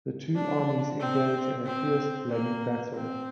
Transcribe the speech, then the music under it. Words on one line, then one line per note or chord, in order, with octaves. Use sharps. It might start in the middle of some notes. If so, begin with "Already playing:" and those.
The two armies engage in a fierce, bloody battle.
D4
C4
C4
A#3
C4